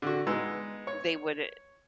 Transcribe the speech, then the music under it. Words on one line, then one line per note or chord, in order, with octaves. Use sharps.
they would i
D3 F#4
G#3 B3 D#4 E6
C#5